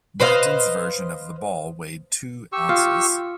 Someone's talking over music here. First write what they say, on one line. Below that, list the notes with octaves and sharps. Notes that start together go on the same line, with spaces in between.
Burton's version of the ball weighed two ounces.
B4 C5 D#5 F5
G4 C#6 E6
F4